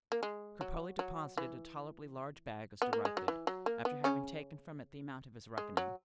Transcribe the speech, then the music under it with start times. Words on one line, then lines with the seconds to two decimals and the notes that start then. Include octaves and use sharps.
Cropole deposited a tolerably large bag as directed, after having taken from it the amount of his reckoning.
0.12 A#3
0.23 G#3
0.61 F#3
0.99 F#3
1.37 E3
2.82 B3
2.93 A#3
3.05 G#3
3.17 F#3
3.28 E3
3.47 F#3
3.66 A#3
3.85 B3
4.04 C#3 C#4
5.58 G#3
5.77 F#3